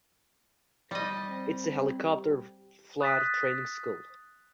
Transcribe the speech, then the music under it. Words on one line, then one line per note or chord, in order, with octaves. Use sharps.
It is a helicopter flight training school.
G3 D#5
C4
G4
D#6 F#6 A6 B6